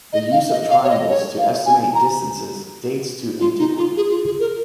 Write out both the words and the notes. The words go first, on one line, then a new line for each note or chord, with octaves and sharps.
The use of triangles to estimate distances dates to antiquity.
D#5
F5
D#5
F5
C#5
D#5
C#5
F5
G#5
G#5
A#5
F4
D#4
F4
G#4
F4
G#4
A#4